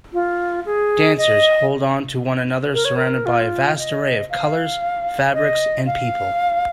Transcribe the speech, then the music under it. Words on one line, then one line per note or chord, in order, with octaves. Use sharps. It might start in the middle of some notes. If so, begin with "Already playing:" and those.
Dancers hold on to one another surrounded by a vast array of colors, fabrics and people.
F4
G#4
D#5
A#4
C#5
A#4
F4
D#5
F5
D#5
F5